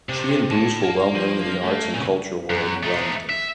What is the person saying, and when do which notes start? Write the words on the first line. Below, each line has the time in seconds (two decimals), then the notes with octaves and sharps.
She and Bruce were well known in the arts and culture world in Wellington.
0.09 C3 D#3 D4
0.51 A2 A5
0.83 A#3
1.15 F3
1.64 A3
1.94 A#2 C#3 E3 F3
2.50 F#2
2.83 A3 D#4
3.30 E5